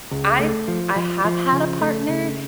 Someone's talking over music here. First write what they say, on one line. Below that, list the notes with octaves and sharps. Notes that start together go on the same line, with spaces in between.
I I have had a partner,
C#2
A3
F3
F3
F3
C#3
A3
C#3